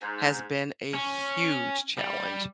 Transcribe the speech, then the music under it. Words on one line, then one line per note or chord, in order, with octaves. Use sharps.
has been a huge challenge.
G#2
C#4
G3